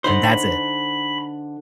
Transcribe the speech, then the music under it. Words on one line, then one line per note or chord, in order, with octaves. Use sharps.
and that's it.
D3 D#4 C5 B5